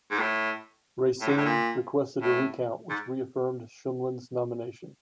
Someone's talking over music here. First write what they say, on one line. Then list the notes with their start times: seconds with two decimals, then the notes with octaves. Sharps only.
Racine requested a recount, which reaffirmed Shumlin's nomination.
0.11 G#2
0.19 A2
1.21 A2
1.29 G#2
1.37 A2
1.45 A#2
2.22 A2
2.90 G#2